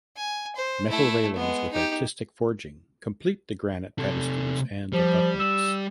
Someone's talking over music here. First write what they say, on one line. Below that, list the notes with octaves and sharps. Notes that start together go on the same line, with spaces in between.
Metal railings with artistic forging complete the granite pedestals and abutments.
G#5
C5
A3 E4
G#3 B3
D#4 G4
C3 A4
F3 G3
E6